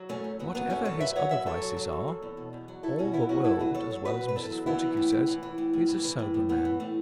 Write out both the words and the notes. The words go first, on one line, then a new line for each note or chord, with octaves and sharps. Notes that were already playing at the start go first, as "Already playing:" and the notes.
Whatever his other vices are, all the world, as well as Mrs. Fortescue, says, 'he is a sober man.
Already playing: F#3
F#2 A3 C#4
F#2
F#3 B3
F#3 B3
F#2 A3 C#4
F#2 A4 C#5
F#3 B4 E5
F#3 C#5 F#5
F#2 B4 E5
F#2 A4 C#5
F#3
F#3
F#2
F#2
E2
B2
E2
F#3
E2 E4 A4
B2 C#4 F#4
E2 B3 E4
F#3 C#4 F#4
E2 E4 A4
B2 F#4 B4
E2 A4 C#5
F#3 A4 C#5
E2 F#4 B4
B2
B4
E2 E4 A4
F#3
E3 B3 E4
E3
A2
A2
E3
E3
A2
A2
E3
E3
A2
A2
E3 B3
E3
A2 A3